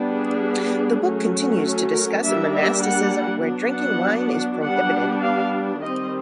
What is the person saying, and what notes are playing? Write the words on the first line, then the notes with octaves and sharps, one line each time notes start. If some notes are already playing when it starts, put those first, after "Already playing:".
The book continues to discuss monasticism where drinking wine is prohibited.
Already playing: G3 B3 D4
G#4
F#3 A3 C#4
A4
A#4
G3 A#3 D4 E5
E5
F#5
F#3 B3 D4
F#5
G3 B3 D4 F#5
F5
D#3 G3 C4 D#5